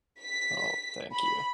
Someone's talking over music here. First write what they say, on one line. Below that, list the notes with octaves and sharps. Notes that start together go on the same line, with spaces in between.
Oh, thank you.
B6
B5